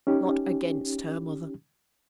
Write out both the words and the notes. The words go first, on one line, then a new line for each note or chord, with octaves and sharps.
'Not against her, mother!
C#4 D#4 G4